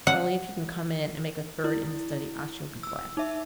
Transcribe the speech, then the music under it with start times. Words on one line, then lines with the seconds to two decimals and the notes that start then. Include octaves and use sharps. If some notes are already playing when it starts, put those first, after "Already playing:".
Only, if you can come in and make a third in the study, I shall be glad.'
0.07 F#5
1.64 E4
2.83 E6
3.17 D#4 E5